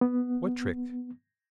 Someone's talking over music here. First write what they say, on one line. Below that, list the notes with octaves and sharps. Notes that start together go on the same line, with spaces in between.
"What trick?"
B3